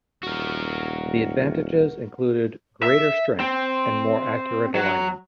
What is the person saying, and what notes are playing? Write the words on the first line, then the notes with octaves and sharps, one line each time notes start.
The advantages included greater strength and more accurate alignment.
D#1 F#4 A#4
E5
C4
F#3